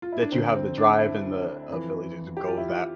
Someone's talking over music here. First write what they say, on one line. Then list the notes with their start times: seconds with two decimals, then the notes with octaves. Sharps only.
that you have the drive and the ability to go that
0.02 F4
0.12 E4
0.22 D4
0.32 D2 D3 C4
0.54 C4
0.78 D4
0.92 D4
1.01 E4
1.69 F2 E3
2.37 G4
2.47 F4
2.58 E4
2.68 F4